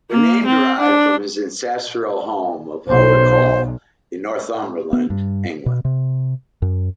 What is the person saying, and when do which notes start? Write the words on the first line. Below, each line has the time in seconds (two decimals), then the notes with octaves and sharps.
The name derived from his ancestral home of Howick Hall in Northumberland, England.
0.11 A#3
0.46 C4
0.80 D4
2.88 B1 C5
4.93 B3
5.10 G2
5.66 B2
5.85 C3
6.62 F#2